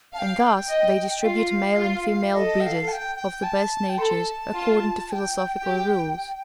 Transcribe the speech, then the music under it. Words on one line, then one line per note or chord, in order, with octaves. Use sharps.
And thus they distribute male and female breeders of the best natures according to philosophical rules.
F5 G5 A5
D#5
F4 F5
F4
A4 D#5
G5
F5
A5
G5
G5
A5
G5
A4 A5 C6
F4
A5
G5
G4